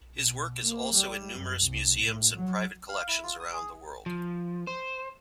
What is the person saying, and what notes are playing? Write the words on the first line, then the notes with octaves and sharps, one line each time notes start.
His work is also in numerous museums and private collections around the world.
B2
A#3
G3
F#2
C2
A2
F#3
F5
E4
F4
D#6
G#4
F3
C5